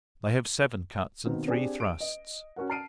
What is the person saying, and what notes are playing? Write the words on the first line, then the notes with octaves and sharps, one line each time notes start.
They have seven cuts and three thrusts.
B2 D#3 A#3 C4
C4 D4 G4 G#4 D5 G#5
D7
D#5
C#4 F#4 A#4 F#5
A5 F6 C7 D7 D#7